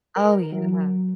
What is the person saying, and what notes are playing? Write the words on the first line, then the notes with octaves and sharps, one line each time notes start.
Oh, yeah.
A#4
F#3